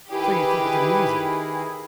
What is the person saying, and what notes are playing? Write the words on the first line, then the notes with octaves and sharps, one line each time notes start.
"So you think it amusing?"
D#3 E4 G4 G#4 B4